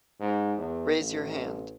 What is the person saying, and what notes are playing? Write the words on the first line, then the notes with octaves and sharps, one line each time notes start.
Raise your hand.
G#2
E2
A1